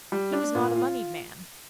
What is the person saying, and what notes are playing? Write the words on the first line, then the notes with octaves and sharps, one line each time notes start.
He was not a moneyed man.
G3
D4
A#2
F4